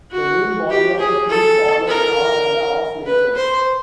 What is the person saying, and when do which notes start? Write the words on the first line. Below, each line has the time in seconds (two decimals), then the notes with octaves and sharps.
The main body of the fleet followed an hour and a half later.
0.11 F#4
0.70 G4
1.00 G#4
1.29 A4
1.88 A#4
3.06 B4
3.35 C5